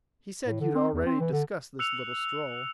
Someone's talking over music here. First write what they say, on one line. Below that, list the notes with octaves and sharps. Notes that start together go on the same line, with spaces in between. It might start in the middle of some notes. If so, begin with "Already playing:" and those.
"He said you'd already discussed this little stroll."
A2
D3
C4
E2
C4
E3
D3
E6 F#6 C#7 F7